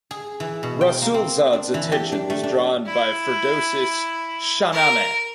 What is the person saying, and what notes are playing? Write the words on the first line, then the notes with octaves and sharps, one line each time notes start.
Rasulzades attention was drawn by Firdousis "Shahnameh".
G#4
E3
B2
G5
A#3
C4
D4
E3
G4
D4
A3
D4
E4
A#4